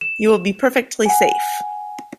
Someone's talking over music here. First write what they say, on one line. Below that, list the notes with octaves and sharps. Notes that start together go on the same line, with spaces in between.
You will be perfectly safe.
E7
F#5 G#5